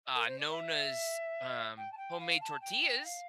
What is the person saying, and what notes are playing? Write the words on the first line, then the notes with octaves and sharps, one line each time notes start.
uh, Nona's, um, homemade tortillas.
A#4
C5
D5
E5
G5
A5
G5
F5
A5
G5
G5
F5